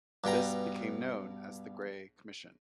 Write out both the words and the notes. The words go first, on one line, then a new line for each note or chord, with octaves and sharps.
This became known as the Gray Commission.
G2 B2 G5 A#5